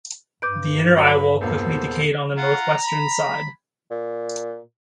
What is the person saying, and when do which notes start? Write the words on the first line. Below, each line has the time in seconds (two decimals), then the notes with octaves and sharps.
The inner eyewall quickly decayed on the northwestern side.
0.42 G2 B4 D6 G6 D7
0.97 F#3 B5
1.41 E1 A#2 A#3 B3 A4 C5
2.37 F4 F#5 A#5
2.84 B5
3.90 A#2